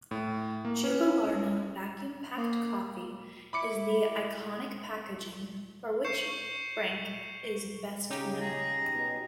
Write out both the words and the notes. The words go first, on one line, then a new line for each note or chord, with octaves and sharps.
Jubilarna vacuum-packed coffee is the iconic packaging for which Franck is best known.
A2
A#3
C#4
A#3
E4 B5 D6 C#7
C#6 G6 C7 C#7 E7
C#3 C#4 D#4 G4
G#4 A#5
B2